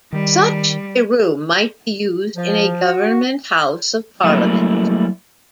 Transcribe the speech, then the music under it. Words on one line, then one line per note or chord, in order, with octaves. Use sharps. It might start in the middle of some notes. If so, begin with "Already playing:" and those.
Such a room might be used in a government house of parliament.
D#3 G3
F3
F#4
F#3 G3 A3 A#3 E4